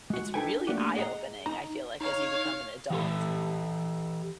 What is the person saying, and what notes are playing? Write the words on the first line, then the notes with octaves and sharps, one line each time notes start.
it's really eye-opening, I feel like, as you become an adult
G#3 F#4
D4 D#4 A4 B4 G5 G#5
A3 A#3 D4 F#4 G4
G#4 D#5 F#5 G5 A#5
D#4 A#5
D#4 C#5 F5
E3 G4 A4